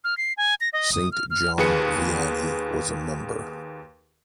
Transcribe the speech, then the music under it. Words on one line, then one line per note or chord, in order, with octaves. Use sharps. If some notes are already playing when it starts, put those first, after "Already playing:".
Saint John Vianney was a member.
F6
C7
G#5
A#6
D#5
D#6
F6
F6
D#2 G#4 B4 C#7